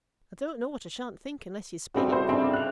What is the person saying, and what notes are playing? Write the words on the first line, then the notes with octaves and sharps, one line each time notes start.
I don't know what I shan't think unless you speak.
C#3 G3 A3 C4 F#4
E4 F#4 C5
C4 D4
F5
F#6 F7